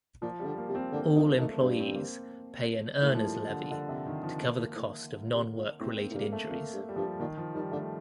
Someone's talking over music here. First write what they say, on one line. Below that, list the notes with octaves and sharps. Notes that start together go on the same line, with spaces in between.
All employees pay an earner's levy to cover the cost of non-work related injuries.
A#2 F3
C3 G3
D3
A#3
C3
C4
D3 A#3
D#3 A#3
D#3 A3
G2 C4
C4
A#3
C4
A2 A#3
F3
G3
D3
D3
C3
D#3
F3
A#3
A2
A2
C3
A#2
A2 C4
A#3
A2
G2 A#3
A3
F2 A#3
G2
G3
G2 F3
A#2 D#3
F3
D#3 G3
D3 A3